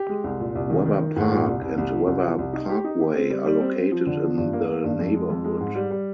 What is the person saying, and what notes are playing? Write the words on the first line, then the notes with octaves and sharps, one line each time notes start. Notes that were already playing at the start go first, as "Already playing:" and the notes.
Webber Park and Webber Parkway are located in the neighborhood.
Already playing: G4
G#3
C2
A#2
C2
D#3
D#3
D#3
G#2
A#2
C2
C2
C2
F3
C2
F3
C2
D#4
G4
D#4
G4
C4
G3
G3
C4
C4
F3
D3
F3
G2
A#3
A#3
G2
F2
G#3
F2
G#3
G#2
G3
G3